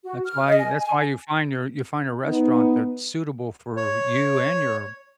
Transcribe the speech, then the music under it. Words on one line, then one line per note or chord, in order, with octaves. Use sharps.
that's why that's why you find your, you find a restaurant that's suitable for you, and your,
F#4
F6
D#5
G#5
G#5
B3 D#4
C#5